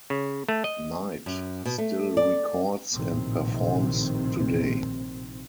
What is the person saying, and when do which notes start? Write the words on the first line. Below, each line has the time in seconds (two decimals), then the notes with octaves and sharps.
Knight still records and performs today.
0.10 C#3
0.49 A3
0.64 D#5
1.26 F#2
1.65 B2
1.78 A3
2.17 D5
2.94 A#1 A2 C3 D#3 C4